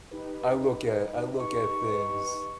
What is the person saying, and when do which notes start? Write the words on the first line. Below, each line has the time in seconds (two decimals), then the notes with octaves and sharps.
I look at I look at things
0.11 D#4 G4 B4
1.40 C#6